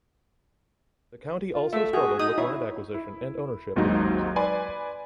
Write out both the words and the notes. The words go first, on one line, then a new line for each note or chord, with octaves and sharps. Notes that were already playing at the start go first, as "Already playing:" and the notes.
The county also struggled with land acquisition and ownership issues.
F4
A3 E5
F#4 G#4
D#4 D#6
E4 C#5
E4
G#1 D#2 G#2 F#3 D#4
B4 D5 G#5 B5 C6